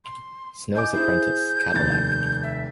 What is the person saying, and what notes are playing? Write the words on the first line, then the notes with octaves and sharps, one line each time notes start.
Snow's apprentice, Cadillac.
C6
D#5 G#5 D6 G6
E4 G#4 C5 G6
F1 D#2 A6
E5